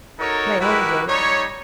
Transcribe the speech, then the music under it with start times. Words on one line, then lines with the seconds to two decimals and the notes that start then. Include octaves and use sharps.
They all do.
0.20 D#4 F#4 A4 A#4 C#5
0.60 E4 F#4 G4 A#4 B4
1.08 G3 D#4 C#5